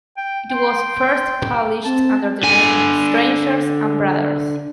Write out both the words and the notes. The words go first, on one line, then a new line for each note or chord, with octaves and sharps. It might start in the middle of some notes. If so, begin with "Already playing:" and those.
It was first published under the name "Strangers and Brothers".
G5
G5 C6
C4 A5
D3 G#5